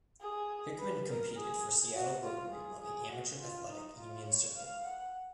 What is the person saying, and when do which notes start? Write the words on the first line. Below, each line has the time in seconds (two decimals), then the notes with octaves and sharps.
Hickman competed for Seattle Rotary on the Amateur Athletic Union circuit.
0.21 G#4
0.79 B4
1.07 A#4
1.37 G#4
1.94 F#4
2.23 F4
2.53 G#4
2.81 G#4
3.10 F#4
3.39 F4
3.69 D#4
3.97 F4
4.26 C#5
4.56 F5
4.85 F#5